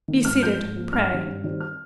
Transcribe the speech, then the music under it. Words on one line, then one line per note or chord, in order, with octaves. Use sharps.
Be seated, pray.'
D#3 A#3
G#2 F6
F3 A#3 G6
G#2
F3 A#3
G2 F6
D#3 G3 C4
G2
D#3 G3 C4
F6